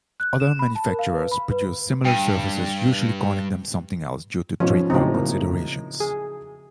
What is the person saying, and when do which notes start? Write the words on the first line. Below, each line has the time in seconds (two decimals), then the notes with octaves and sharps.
Other manufacturers produced similar services, usually calling them something else due to trademark considerations.
0.20 F#6
0.40 E7
0.59 B5
0.75 A5
0.87 A#4
0.99 F5
1.14 B4
1.32 B5
1.51 B4
2.05 G2 G5 D#7
4.60 G#2 B2 F3 C#4
4.90 A2 C#3 F#3 C4 D#4
5.14 A#3
6.00 G#4